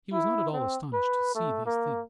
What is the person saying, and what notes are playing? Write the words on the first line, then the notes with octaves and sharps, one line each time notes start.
He was not at all astonished to see these things.
E4
C4
B4
A3
A#3